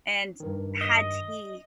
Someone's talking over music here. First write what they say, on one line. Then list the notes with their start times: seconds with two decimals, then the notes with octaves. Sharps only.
and had he
0.40 G2 D#3
0.81 D#5